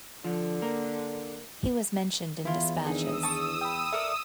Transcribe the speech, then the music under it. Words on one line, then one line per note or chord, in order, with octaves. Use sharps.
He was mentioned in despatches.
D3 F3
A#3 A#4
E2 E3 E4 F4
D#3 D4 D#4 G#4 D#6 E6
A5 C#6
G5 B5
A4 A#4 D5 E5